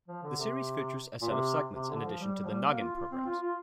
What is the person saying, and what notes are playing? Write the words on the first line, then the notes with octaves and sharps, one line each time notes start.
The series features a set of segments in addition to the "Noggin" programs.
F3
D3
C3
A#2
C3
C3
D3
F3
G3
G3
F3
G3
A#3
F4
F4
C4
F4
F4